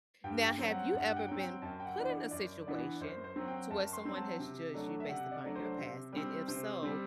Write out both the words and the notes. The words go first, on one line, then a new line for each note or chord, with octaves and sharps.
Now, have you ever been put in a situation to where someone has judged you based upon your past and if so,
G2 G5
G5
F#3 C4
F#5
G2 F#5
G5
F#3 C4
G5
F#2 A5
G5
F#5
E3 B3 D4
D5
F#2 D5
E3 B3 D4
F#2 C5
C5
F#3 C4
G5
F#2 A5
C6
F#3 C4
A5
C3
F#3 A3 D4
E5
C3 F#5
D5
F#3 A3 D4
C5
C3
G3 C4
C3 C5
G3 C4